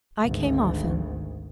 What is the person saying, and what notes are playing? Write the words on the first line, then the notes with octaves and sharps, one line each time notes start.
I came often.
G#1 D2